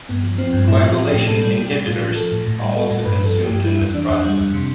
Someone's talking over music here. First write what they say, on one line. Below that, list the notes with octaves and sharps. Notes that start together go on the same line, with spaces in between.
Coagulation inhibitors are also consumed in this process.
G2 B3
F3
F3 C4
G2
A2 E4
F3 F4
F3 G4
A2 G4
B2 A4
G3
G3 G4
B2
A2 F4
F3
F3 A4
A2
A2
G3
G3 A4
A2 A4
G2 B4
F3
A4
F3
G2 G4
G3 E4
F2
E3 D4
F2
G3
F2
C3